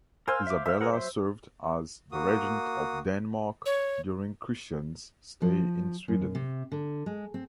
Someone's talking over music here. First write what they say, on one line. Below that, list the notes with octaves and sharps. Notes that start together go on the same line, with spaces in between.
Isabella served as the regent of Denmark during Christian's stay in Sweden.
A#4 C5 F5 G#5 E6
E5 D6
E5 F5 E6
G#4 A#4 F#5
F#3 C5 E5
A#3 F#4 D#6
C#5
F3
F#2
C3
D3
G#3
C4